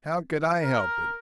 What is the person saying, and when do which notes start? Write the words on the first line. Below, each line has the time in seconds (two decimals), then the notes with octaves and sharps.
How could I help it?
0.63 A#4